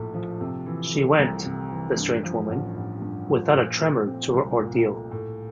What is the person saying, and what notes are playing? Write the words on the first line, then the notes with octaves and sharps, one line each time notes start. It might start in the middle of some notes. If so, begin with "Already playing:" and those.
She went, the strange woman, without a tremor to her ordeal.
Already playing: A#1 A2 F3
F3
C3
E3
A3
C2
C3
E3
G2
F3
A1
A1
G2
F3
A#2
A3
C4
C2
A#2
A3
A2